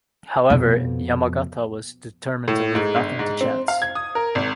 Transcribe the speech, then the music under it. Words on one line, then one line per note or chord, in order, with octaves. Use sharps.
However, Yamagata was determined to leave nothing to chance.
F2 B2
A2
G#2
G1
G#2
C4
F5
G#6
D#6
A#4
G#1